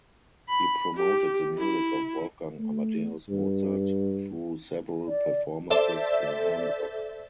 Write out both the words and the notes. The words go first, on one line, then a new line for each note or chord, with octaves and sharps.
He promoted the music of Wolfgang Amadeus Mozart through several performances in Hamburg.
B5
G4
E4
A3
G2
D5
A4 C5 D5 E5